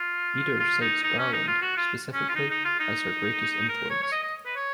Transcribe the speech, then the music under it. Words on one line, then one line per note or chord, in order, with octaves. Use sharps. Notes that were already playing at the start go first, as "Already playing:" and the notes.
Eder cites Garland, specifically, as her greatest influence.
Already playing: F4
F4
D#4
D#4
C#4
D#4
F4
F#4
F4
C#4
F4
D#4
D#4
F4
D#4
A#4
C#5
C#5
D#5
D#5
B4
C#5